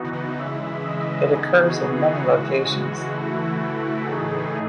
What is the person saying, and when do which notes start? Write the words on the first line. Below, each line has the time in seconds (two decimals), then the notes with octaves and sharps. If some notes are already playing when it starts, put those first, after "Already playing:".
It occurs in many locations.
Already playing: E3 B3 D#4 F#4
0.36 C#3 E3 G#3 E5
0.82 D#5
1.28 E3 B3 D#4 G#4
1.59 F#4
1.90 E4
2.20 C#3 E3 G#3 F#4
3.13 E3 A3 E4
4.04 A2 E3 A3 D#4 G#4